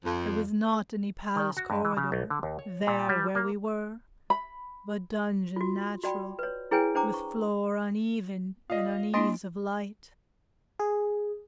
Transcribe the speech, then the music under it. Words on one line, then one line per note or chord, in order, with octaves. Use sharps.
It was not any palace corridor There where we were, but dungeon natural, With floor uneven and unease of light.
F2
D#3
F#4
G2
E3
C#3
B1
D3
D#2
C#5
A#2
G3
A#3
B5
F4 F#4
F#4 D5 G5 B5
B4 C#5
E4 G#4 B4 C#5 G5 G#5
D4 C5 G5 A#5 D6
C#6
F4 D5 D#5 F5
A#3 D4 E4 D#5 C6 D7
G#4